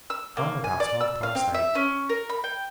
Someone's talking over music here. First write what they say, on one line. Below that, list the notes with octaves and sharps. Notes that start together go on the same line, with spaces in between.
Come about half-past eight.
E6
A#3
G#5
D5
E6
F5
C4
E5
C#4
A#4
B5
G5